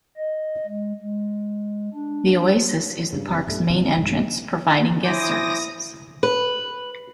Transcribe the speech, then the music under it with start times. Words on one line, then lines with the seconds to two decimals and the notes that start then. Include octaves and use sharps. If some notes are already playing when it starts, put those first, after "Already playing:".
The Oasis is the park's main entrance, providing guest services.
0.17 D#5
0.67 G#3
1.01 G#3
1.94 D4
3.13 G2 C#3
3.28 F#1 C3
3.47 B1 G2 G3 A3
3.70 D#2 C3 E3 G3
3.98 C2 G#2
5.04 E4 C5 G#5 D6 D#6 A#6
6.23 B4